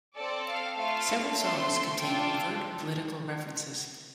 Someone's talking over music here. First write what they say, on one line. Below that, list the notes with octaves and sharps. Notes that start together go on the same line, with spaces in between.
Several songs contain overt political references.
C4 A4 D5
F5
A3 F4 A4 F5
A3 C4 A4 C6
D4 F4 A4 G5